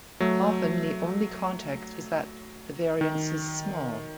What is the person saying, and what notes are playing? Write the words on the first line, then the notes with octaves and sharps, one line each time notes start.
Often the only context is that the variance is "small".
F#3 A3
D#3